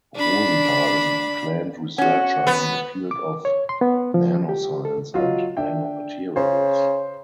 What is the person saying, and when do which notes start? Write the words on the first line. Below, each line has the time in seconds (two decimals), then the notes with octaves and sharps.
Rosenthal is an acclaimed researcher in the field of nanoscience and nanomaterials.
0.15 D4 B5
1.98 C#4 F#4 F#5
2.47 B3
3.11 D6
3.45 C#5
3.69 C6
3.81 B3
4.14 F3
4.49 G4
4.85 A4
5.14 F#3 F4 D#5
5.57 D4 E5 G5
6.36 C#3 C5